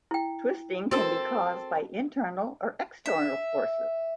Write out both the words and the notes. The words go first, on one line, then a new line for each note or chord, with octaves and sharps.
Twisting can be caused by internal or external forces.
E4 G5
C4 F#4 A4 A#4 E6
E5